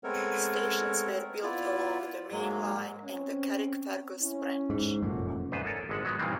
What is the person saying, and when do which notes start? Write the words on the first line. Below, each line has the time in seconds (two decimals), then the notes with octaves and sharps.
Stations were built along the main line and the Carrickfergus branch.
0.04 G#3 A3 B3 C4 A#4 C#5
1.43 B3 E4 F4 D5
2.32 G#2 F#3 G#3 A#3
3.04 C4 C#4
4.20 C#4 E4
4.70 G#2
5.02 F1 F#2 A#2 A3 F#4
5.52 D2 G#2 B3 B4 C5
5.65 A4 A#4 C#5 D5 G#5
5.89 G#1 D3 G#3 E5 F#5
6.05 F#3 G#3 B3
6.19 G2 A#2 D#3 E3 G3 C4